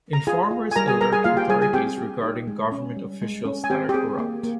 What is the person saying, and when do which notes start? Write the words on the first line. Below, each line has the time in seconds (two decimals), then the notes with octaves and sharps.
Informers alert authorities regarding government officials that are corrupt.
0.13 A#5
0.27 F4 G#4 G#5
0.51 F4
0.71 G#5
0.76 G3 A#4 A#5
0.88 G#4 G#5
1.01 G3 A#4 A#5
1.12 G#4 G#5
1.24 A#3 F4 F5
1.37 G4 G5
1.49 G3 G#4 G#5
1.61 G#4 G#5
1.74 C4 G4 G5
1.98 G4
2.23 D#4
2.47 G#3
2.72 C#4
2.96 G3
3.22 G#3
3.45 C#4
3.64 G#5
3.70 C4 G4 G5
3.89 G4
3.94 C4 G#4
4.19 A#3
4.43 A#3